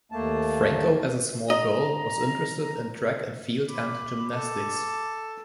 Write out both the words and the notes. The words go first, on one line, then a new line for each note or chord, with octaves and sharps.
Franco as a small girl was interested in track and field and gymnastics.
D#2 A3 A#3 A5
D#5 A#5
B5 D6
A4